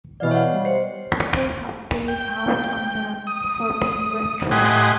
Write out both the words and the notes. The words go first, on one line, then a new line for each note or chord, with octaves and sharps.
People have paid out on them for being retro.
B2 E3 D5 D#5 F5
C#5 F#5
G3
C5 C7
G5
D#6
A2 G4 D#5 F#5 G#5 C6